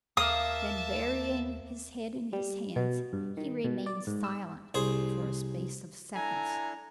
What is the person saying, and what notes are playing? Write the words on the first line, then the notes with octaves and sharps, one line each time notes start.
Then burying his head in his hands, he remained silent for a space of seconds.
D#2 A#3 E5 F5 A5 D#6
G3
B2
G2
D#3
B2
D5
G#2
E6
C2 G#4 C5
D4 E4 A4 G#5 A#5